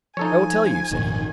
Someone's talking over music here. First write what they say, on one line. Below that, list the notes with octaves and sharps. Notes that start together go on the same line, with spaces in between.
"I will tell you," said he.
F3 D#4 A4 C#5 G#5
G#1 F2 A#2 D#3